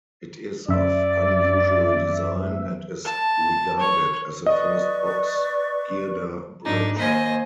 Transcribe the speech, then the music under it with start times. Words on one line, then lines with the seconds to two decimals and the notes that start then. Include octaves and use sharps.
It is of unusual design and is regarded as the first box girder bridge.
0.68 F#2 D5 E5
3.05 A5
3.80 C#5
4.46 B4 D5 D#5 C#6
6.65 G#2 D4 D#4
6.98 D#2 C5 D#5 G#5